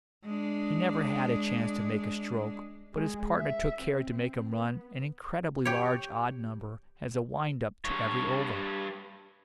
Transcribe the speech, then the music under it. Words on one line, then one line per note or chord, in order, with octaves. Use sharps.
He never had a chance to make a stroke, but his partner took care to make him run an incredibly large odd number as a wind up to every over.
G#3 D4
G#3
E5
C4
B3
G4 C#5
G2 C#5